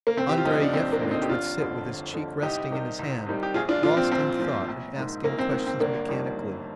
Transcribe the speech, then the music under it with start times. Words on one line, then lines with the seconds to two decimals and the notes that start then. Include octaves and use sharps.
Andrey Yefimitch would sit with his cheek resting in his hand, lost in thought and asking questions mechanically.
0.07 A#3
0.17 F1 C4
0.29 G4
0.38 F4
0.45 D#2 D3 F3 C4 D#4
0.63 D4
0.73 F1 C4
0.92 A#3 D4
1.01 D#2 D3 F3
1.11 C4 D#4
1.22 G4
1.29 G1 D4 F4
1.58 F2 D3
1.86 G1
2.14 F2 D3
2.42 C2 D#4 G4
2.71 C3 D#3 G3
2.99 C2
3.26 C3 D#3 G3
3.43 G4
3.54 A#1 F4 G#4
3.69 D4 F4
3.83 A#2 F3 D4 F4
3.97 C4
4.11 A#1 C4
4.40 A#2 F3
4.68 A#1
4.96 G#2 D#3
5.24 A#1 A#3
5.39 C4
5.51 G#2 D#3
5.67 C4
5.80 G1 A#3 D4
6.09 F2 D#3 G3
6.36 G1